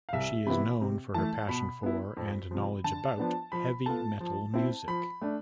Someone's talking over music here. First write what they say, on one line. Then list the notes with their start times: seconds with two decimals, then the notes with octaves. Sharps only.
She is known for her passion for and knowledge about heavy metal music.
0.09 F5
0.13 C2 E5
0.46 C3 E3 B3 E4 B5
0.81 C3
1.14 E3 A3 A5
1.49 B2 B5
1.83 B3 E4
2.17 F2
2.51 C3 F3
2.84 D3 A5
3.18 F3 B3 D4
3.52 F3 B5
3.86 B3 F4 A4 A5
4.20 F3
4.54 C4 E4
4.88 F3 B5
5.22 A3 D4